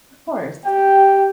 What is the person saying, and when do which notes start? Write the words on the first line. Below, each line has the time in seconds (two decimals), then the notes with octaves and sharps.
Of course.
0.66 G4 G5